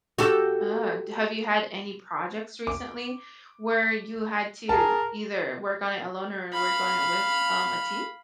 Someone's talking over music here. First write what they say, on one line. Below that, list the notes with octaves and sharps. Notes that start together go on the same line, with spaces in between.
Uh, have you had any projects recently where you had to either work on it alone or work on it with, um, a team?
F#4 G4 A4
D6
G#4 A#4 A5
F5 B5